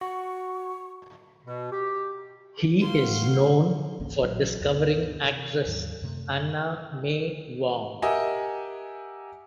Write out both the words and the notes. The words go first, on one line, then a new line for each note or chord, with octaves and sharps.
He is known for discovering actress Anna May Wong.
F#4 C#6
B2
G4
A1 F#4 F5 C6
G#1 C#2 A#3 C#4
A#1 E3 F#3
D2 G2 B2 D3
C3
D#2 G#2 D#3 F#3
F#2 C3 A3
G4 A#4 D#5 E5 F#5 G#5